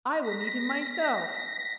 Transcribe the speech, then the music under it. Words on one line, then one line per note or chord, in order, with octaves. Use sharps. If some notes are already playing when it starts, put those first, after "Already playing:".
"I will meet him myself!"
A#6 B6